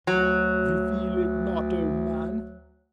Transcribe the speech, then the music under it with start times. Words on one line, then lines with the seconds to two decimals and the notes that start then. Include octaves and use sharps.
Reveal it not, oh Man!
0.07 D2 F#3